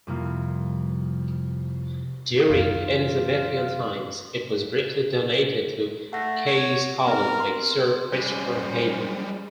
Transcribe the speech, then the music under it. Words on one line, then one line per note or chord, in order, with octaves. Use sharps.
During Elizabethian times, it was briefly donated to Caius College by Sir Christopher Heydon.
F2 C3 G3 A#3 E4 F4
F#2 E3 F4
A3 F#5 A#6
C#5
B3 C4 A#4
C6
G3 G#3 C#4 C5